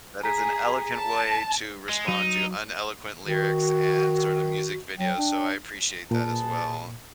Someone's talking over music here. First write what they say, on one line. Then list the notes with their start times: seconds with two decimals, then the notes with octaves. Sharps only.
That is an eloquent way to respond to uneloquent lyrics and sort of music videos, so, I appreciate that as well.
0.23 G#4 A#5 B6
0.95 A5
1.89 G#3
2.08 F#3 D#4
3.26 D#3 F#4
4.98 F#3 G5
5.18 D4
6.11 A#2 G#4 B4 A5